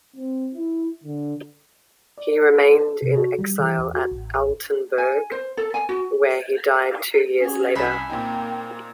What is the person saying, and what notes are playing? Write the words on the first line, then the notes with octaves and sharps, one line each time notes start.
He remained in exile at Altenburg, where he died two years later.
C4
E4
D3
D5
B4
A4
C3
F#4
G3
E3
E2
F#4
A1
G#5
C5
A4
G#5
F#4
C#4 G#4
C2 E5 G#5 B5 E7
A#2 A#3 C4 D#4 G5